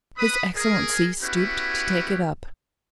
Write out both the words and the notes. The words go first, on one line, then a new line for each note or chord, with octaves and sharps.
His Excellency stooped to take it up.
B4 B5 D#6
G#4 A#4
B3 C#4 E4 F#4 G4 B4